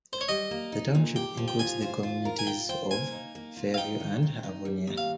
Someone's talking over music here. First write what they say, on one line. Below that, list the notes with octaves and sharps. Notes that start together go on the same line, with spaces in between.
The township includes the communities of Fairview and Avonia.
C5
C#5
G3 D#5
A#3
D#4
A#2
G4 G5
F3
G5
F4 G#5
C5
F4
A#4
G#5
F4 G5
C5 G5
A#3 G#5
D#4
A#3
F4
F5
D#4 G5
D#3
C4
D#4
G3
D#2
F5